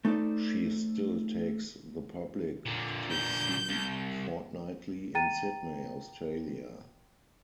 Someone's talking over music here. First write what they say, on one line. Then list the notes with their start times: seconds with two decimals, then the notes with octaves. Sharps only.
She still takes the public to sea fortnightly in Sydney, Australia.
0.05 A3 D#4 A4 C5 D5
2.66 A#2 D3
3.11 G6
3.69 C2
5.15 G5 A#5 A6 D#7